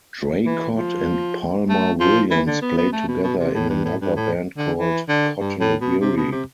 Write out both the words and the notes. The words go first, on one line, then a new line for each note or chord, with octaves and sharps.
Draycott and Palmer-Williams played together in another band called Cotton Weary.
E3
F3
A3
F3
E3
D3
B3
B3
A3
B2
B2
C3
A2
G2
A2
G2
A2
D3
E3
D3
G2
A2
B2
C3
B2
C3